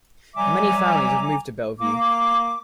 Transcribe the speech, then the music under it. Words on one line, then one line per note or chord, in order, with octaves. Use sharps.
Mainly families have moved to Bellevue.
F#3 G3 E5 G#5 A#5 D6
A#3 D6